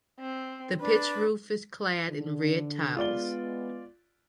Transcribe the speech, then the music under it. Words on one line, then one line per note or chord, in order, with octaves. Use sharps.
The pitched roof is clad in red tiles.
C4
D4 B4
D3
G#3 B3 F4 D5 G7